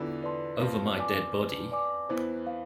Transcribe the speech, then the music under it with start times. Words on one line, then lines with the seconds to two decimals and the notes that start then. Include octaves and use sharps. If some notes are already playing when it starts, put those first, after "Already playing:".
Over my dead body.
Already playing: E2 D3 E3 F4 B4 D5
0.23 B4 D5 A5 C6
0.59 F2 F3 B4
0.97 D5 G#5 D6
1.34 B4
1.72 D5 G#5 D6
2.09 E2 E3 C5
2.47 F5